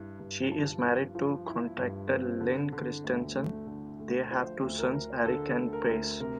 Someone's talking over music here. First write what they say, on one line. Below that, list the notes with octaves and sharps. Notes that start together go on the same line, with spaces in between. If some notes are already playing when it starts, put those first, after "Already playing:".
She is married to contractor Len Kristensen; they have two sons, Eric and Bryce.
Already playing: G2 E4
G2
F3 A5
F3
F3
E4
G2
C4
D3
D3
D2
A3
D3
A3
F3 C5
D2
A#4
D2
D3 A4
D2
A#4
D2
C3 A#4